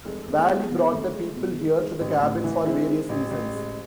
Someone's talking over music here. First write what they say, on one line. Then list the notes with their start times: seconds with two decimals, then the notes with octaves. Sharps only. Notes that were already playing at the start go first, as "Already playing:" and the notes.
Valle brought the people here to the cabin for various reasons.
0.05 F1 G#3
0.27 E2
0.35 A3
0.44 G#3
0.49 E2 A3
0.63 G#3
0.70 B2
0.79 G#3
0.92 F1 A3
1.14 G#3
1.35 B2
1.57 G#3
1.80 G#3
2.00 A1
2.23 A2
2.44 E3
2.66 G#3 C4 E4
2.87 G#3
3.09 A1
3.31 A1
3.53 G#3